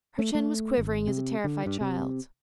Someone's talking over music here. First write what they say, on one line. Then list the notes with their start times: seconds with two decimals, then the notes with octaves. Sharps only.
Her chin was quivering as a terrified child's.
0.19 A3
0.35 A3
0.78 G#1
1.07 C3
1.44 D3
1.66 G2
1.81 C3